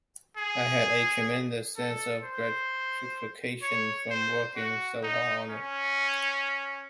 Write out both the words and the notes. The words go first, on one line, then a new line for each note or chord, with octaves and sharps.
I had a tremendous sense of gratification from working so hard on it.
G#4
A4
C5
C#5
C5
F#4
D#4
C#4